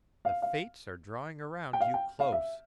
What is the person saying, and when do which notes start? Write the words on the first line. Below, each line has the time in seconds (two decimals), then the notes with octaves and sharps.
The fates are drawing around you close.
0.25 F5
0.42 F5
1.73 G5
1.80 F5
1.94 G5
2.20 F5
2.32 E5